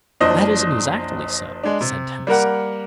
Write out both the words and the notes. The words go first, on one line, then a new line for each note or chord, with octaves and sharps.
"That is exactly so," said Tennyson.
F#1 F3 D4 C5 D#5
G#3 D4
C3
G3 A#3 A#4 F#5